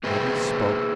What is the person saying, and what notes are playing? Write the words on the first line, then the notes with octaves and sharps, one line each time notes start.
Nobody spoke.
A#3 G#4 B4 C5 E5 G5